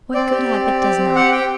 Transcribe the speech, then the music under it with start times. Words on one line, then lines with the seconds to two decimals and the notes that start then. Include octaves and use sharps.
What good habit does not?
0.14 C4 D5
0.31 G4
0.48 C4
0.65 G4
0.81 G4
0.99 C4
1.15 G4 F#5
1.32 G4 G5